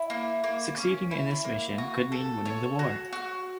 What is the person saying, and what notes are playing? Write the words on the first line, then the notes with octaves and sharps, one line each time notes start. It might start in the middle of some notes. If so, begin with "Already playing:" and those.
Succeeding in this mission could mean winning the war.
Already playing: E4
A#3
A#3
C#4
E4
A#3
F#4
A4
C#5
F#4
F#4